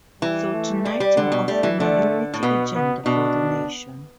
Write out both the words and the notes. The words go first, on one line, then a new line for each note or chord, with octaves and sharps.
So tonight I’m offering a Unity Agenda for the Nation.
E3 G3
A3
G3
G3
D3 G3
B2
G3 A3
E3
D3 A3
A2
B2 B3
B3
B2 D4